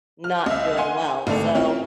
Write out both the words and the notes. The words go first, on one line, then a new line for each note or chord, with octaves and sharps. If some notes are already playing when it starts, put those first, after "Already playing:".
not doing well, so
F6
C#2 E5
F#5 G#5 C6
G#1 D3 A3 A4 F7
C4 C#4 E4 F4